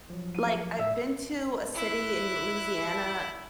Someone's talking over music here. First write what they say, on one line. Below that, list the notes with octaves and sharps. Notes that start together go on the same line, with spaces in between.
Like, I've been to a city in Louisiana,
F3 F#3
D#7
A2 E5
E4 F#6